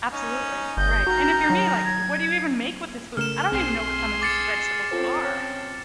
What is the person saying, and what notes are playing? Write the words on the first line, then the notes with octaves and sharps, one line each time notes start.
Absolutely, right. And if you're me, like, what do you even make with this food? I don't even know what some of these vegetables are.
C#4 D#4
G1 D#5 G6
D#3 F#4 A#5
F#3
G#6
C#3 A3 A#4 F6 E7
B1 C4 G#4 C6
D6 A6 C#7
C4 C#4 F4 A4 C5
C#5 A5